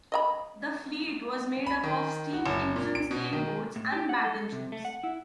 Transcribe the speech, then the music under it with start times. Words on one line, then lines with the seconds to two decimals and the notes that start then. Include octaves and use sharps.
The fleet was made up of steam engine sailboats and battleships.
0.12 D#5 E5 B5
1.66 B5
1.84 D#3
2.33 F#4
2.46 F#1
2.76 A#2
2.95 D7
3.11 B2
3.33 D#3
3.76 A2
3.92 G4
4.09 F#5
4.24 A4
4.52 C3
4.72 A3
4.85 F#5
5.03 E4